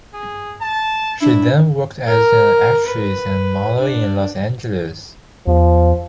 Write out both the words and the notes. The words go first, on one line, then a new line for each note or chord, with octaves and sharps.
She then worked as an actress and model in Los Angeles.
G#4
A5
D4 E4
A#4
B4
D4
E2 F3